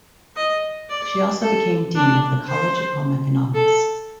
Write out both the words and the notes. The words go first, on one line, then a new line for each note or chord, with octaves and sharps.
She also became Dean of the College of Home Economics.
D#5
D5
A4
D4
C5
A4